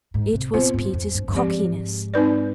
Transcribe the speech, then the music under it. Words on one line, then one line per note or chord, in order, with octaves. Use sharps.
It was Peter's cockiness.
G#2
C3
B2 C4 F4 C5
G#2
F2
G2
G2
G#2 F3 C4 G4 D5
C4 D#4 B4 D5